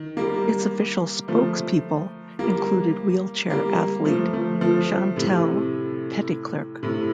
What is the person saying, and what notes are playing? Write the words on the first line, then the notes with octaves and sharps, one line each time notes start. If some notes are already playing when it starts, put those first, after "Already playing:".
Its official spokespeople included wheelchair athlete Chantal Petitclerc.
Already playing: D#3
G3 A#3
F3 A3
G3 A#3
G3 A#3
F3 A3
F3 A3
F3 A3
A2 C3
A2 C3